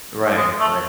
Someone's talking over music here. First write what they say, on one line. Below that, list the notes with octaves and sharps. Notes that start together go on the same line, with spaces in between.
Right, right.
G#3
A3